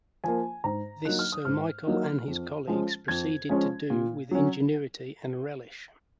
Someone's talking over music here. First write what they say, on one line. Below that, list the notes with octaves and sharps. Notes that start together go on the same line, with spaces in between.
This Sir Michael and his colleagues proceeded to do with ingenuity and relish.
F3 A#3 G#5
G#2 A#5
F#3 A#3 D#4 F#6
F6
D#6
G#2 F6
F#3 A#3 D#4
F2
F3 G#3 C#4
F2 G#6
F3 G#3 C#4
A#2
F#3 C#4